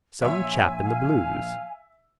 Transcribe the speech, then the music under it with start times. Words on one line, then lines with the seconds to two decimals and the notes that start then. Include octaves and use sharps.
Some chap in the blues.
0.22 A#1 C#5 E5 G#5 E6
0.85 F5